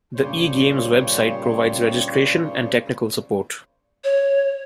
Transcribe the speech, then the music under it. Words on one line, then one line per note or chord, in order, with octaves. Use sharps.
The eGames website provides registration and technical support.
G2 A#2 C#3 G3 C5 C#5
C#5